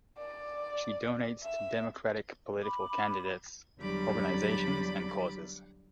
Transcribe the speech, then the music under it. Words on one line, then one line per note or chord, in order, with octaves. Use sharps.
She donates to Democratic political candidates, organizations, and causes.
D5
E5
B5 D6
E2 D3 F#3 G3 B5 D6